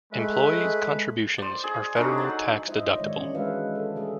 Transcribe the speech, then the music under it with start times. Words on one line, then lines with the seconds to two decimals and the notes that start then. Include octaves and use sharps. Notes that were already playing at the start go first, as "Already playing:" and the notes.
Employees' contributions are federal tax-deductible.
0.13 G#3 A3 B4
1.38 C5 D5
1.64 G#4
1.96 D3 F#3 D#4
2.18 D5 F#5
2.67 D4 D#4 F4 C5 D#5 E5
2.97 D#3 G#3 F4 C#5 D5
3.16 E3 C#4 D4
3.35 G#3 F#4 B4 E5 F5
3.75 A4
3.95 D3 G#3 G#4 E5